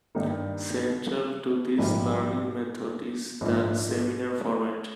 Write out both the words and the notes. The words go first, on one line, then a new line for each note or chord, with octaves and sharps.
Central to this learning method is the seminar format.
G2 D#3 A#3 D#4
A#1 G#2 G3 A#3
A#1 G#2 F3